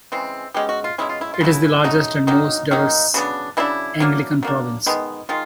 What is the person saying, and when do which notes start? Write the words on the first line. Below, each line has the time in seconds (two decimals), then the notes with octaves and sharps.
It is the largest and the most diverse Anglican province.
0.12 C#3 E3 G#3 C4
0.54 B2 G#3 C#4 G4
0.69 F#4
0.84 F4
0.98 B2 G#3 C#4 E4
1.09 F4
1.21 E4
1.34 F4
1.41 C#3 F#3 A3 E4
1.84 C#3 F#3 A3 D#4
2.27 D#3 F#3 A#3 D#4
2.71 D#3 F#3 A#3 D#4
3.14 C#3 F#3 B3 D4
3.57 C#3 F#3 B3 D4 E4
4.00 F#3 A#3 D4
4.43 F#3 A#3 D4
4.86 D#3 G#3 B3
5.29 D#3 G#3 F4